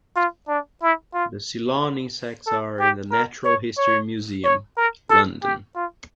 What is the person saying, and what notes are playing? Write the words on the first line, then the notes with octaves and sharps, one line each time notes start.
The Ceylon insects are in the Natural History Museum, London.
F4
D4
E4
F4
A4
G4
A#4
C#5
C#5
C#5
A#4
A4
G4
F4